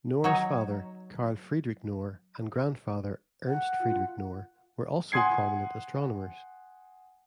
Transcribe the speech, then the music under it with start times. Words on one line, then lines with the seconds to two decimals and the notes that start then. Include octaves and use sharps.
Knorre's father, Karl Friedrich Knorre, and grandfather, Ernst Friedrich Knorre, were also prominent astronomers.
0.24 F#3 D#4 C#5
3.46 F#5
3.80 F4
5.12 F#5 G#5 C6 D#6 G#6 C7